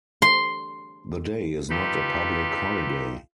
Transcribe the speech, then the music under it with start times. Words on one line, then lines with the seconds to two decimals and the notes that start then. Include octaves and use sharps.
The day is not a public holiday.
0.22 C6
1.70 D#4 F4 G4 A4 B4